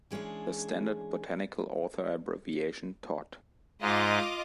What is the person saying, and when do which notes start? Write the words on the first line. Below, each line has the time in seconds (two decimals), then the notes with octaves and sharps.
The standard botanical author abbreviation Tod.
0.11 E3 G#3 C#4 D4 G#4
3.82 G#2 F4 D#5 D6